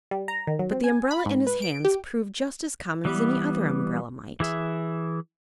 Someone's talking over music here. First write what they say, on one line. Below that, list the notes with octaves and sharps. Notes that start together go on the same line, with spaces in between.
But the umbrella, in his hands, proved just as common as any other umbrella might.
G3
A#5
D#3
F#3
C4
G#5
B5
G#2
B4
D7
G4
E3 G3 B3
E3 G#4 E5